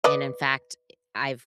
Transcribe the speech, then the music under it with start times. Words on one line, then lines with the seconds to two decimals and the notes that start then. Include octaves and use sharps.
and in fact, I've
0.04 B4 D5 D#5